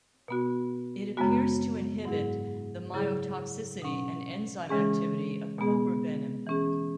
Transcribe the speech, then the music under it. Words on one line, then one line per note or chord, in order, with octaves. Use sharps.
It appears to inhibit the myotoxicity and enzyme activity of cobra venom.
B2 B3 F#4
F#2 C#3 G#3 B3 F#4
G#2 F#3 E4 G#4
C#3 F#3 E4 G#4
B2 F#3 C#4
C#3 E3 G#3 C#4 G#4
B2 G#3 B3 G#4
E3 C#4 G#4